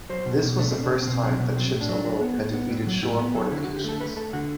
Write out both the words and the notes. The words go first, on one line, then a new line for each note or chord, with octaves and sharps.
This was the first time that ships alone had defeated shore fortifications.
F#3 C5
B2
B2
A3 D4
C4
B2
D4
B2 C4
B2 C4
F#3 C4
B2 B3
F#3 C4
A2
D4
F#3
F#3
B3
A2
B3
A2
F#3
A2 E4
B3
F#3 A4
D3 E4
F#4
D3
G4
A3 A4
A3 B4
A3 A4
D3 F#4